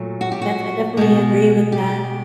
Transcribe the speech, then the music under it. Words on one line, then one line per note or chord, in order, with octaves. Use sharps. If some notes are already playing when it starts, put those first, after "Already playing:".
that's I definitely agree with that.
Already playing: A#2 F#3 A3
F#4
G4
F#4
B2 G#3
G4